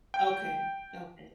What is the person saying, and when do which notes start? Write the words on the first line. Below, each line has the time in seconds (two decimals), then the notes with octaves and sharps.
Okay, okay.
0.14 G5